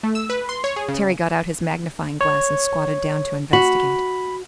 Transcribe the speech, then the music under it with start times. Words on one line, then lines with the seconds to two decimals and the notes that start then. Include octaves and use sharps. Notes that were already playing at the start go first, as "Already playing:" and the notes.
Terry got out his magnifying glass and squatted down to investigate.
0.03 A3
0.15 E6
0.30 B4
0.49 C6
0.64 C#5
0.76 G#4
0.88 C#3
2.21 C#5
3.53 F#4 B5